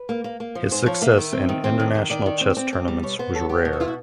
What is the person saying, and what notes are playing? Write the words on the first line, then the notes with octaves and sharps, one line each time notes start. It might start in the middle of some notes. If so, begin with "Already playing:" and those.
His success in international chess tournaments was rare.
Already playing: B4
A#3
A#3
A#3
F3
G#2 C5
F3 C#5
A#3 E5
D#3
C4
D#3
C4
D#3
D#3
D#3 D5
D#3
C4
C4
C4
G3
B2 C#5
B3 C5
F#3 A4
B3 G4
B2
F#4
E4 F4
F#4